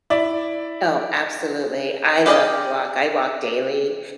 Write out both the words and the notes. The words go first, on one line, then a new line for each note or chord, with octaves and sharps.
Oh, absolutely. I love to walk. I walk daily,
E4 D5
G4 G#4 D5 D#5 F5